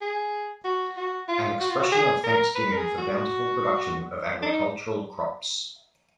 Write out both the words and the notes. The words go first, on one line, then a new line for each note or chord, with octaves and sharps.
An expression of thanksgiving for bountiful production of agricultural crops.
G#4
F#4
F#4
F4
F#4
F4
F#4
G#4
A#4
B4
A#4
G#4
F#4
D4
D#4